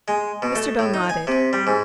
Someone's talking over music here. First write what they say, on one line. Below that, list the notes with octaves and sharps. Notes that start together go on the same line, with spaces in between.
Mr. Bell nodded.
G#3
B2
A3
A2
D#4
G#5
C3
G3
G#2